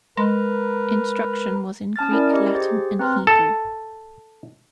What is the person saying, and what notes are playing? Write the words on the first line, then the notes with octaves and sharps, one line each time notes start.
Instruction was in Greek, Latin, and Hebrew.
G#3 A#4 B4
C#4 A5 F6 A6
C#4 E4 A#4 D5
G4 D#5 A#5
G4 G#4 C5 A6
C4 B4 A#5 C6 F6
A4